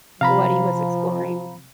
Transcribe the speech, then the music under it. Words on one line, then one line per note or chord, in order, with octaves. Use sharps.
what he was exploring
C3 F3 F5 A#5 B5